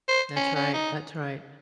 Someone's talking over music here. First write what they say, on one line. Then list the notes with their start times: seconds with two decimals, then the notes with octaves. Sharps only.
That's right, that's right.
0.08 C5
0.36 C#4
0.56 C#4
0.74 D#4